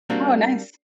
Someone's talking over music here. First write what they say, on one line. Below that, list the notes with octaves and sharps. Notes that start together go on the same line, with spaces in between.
Oh, nice.
G3 A#3 C4 D4 F#4